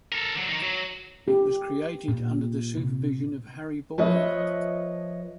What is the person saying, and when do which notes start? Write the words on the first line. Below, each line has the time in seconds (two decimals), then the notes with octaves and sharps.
It was created under the supervision of Harry Boyle.
0.12 A4 A#4
0.35 D3 F#3
0.49 D#3 D#4
0.62 F#3
1.28 G4
2.08 A#2
2.77 C3
3.98 F3 B4 C#5 D#5 E5